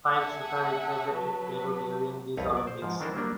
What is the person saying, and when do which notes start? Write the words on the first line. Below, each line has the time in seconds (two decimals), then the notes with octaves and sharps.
Five shooter represented Peru during these Olympics.
0.13 E5 F#5 G#5 A5
1.11 F#3 F#4 B4
2.37 C2 F2 C4 B4 C#5 F5
2.53 F#3 D5
2.67 C5
2.82 G#2 F3
3.00 D#3 E3 D4 A4 A#4 C5
3.14 F#3 G3 A#3 D4